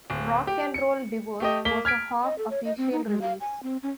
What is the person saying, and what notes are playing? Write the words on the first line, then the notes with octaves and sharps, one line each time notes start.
"Rock and Roll Divorce" was a half-official release.
D1
G4
C#7
A3 G4 D#5
A#3 B6 G7
F6 G#6 B6 D7
D#5
A4
C#5
D#5
C4
D#4
G#3
F5
G#5
C4
C#4